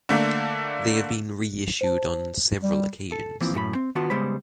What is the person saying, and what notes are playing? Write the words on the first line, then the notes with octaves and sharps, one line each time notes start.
They have been reissued on several occasions.
D3 A3 A#3 D4
C5 A5
G3
A4
E3 F3 A#3 C4
F#2 A2 F#4 B5
C4
D#3 B3 D4 F4 F#4 A5
C#3 G3 G#3 B3 C5 B5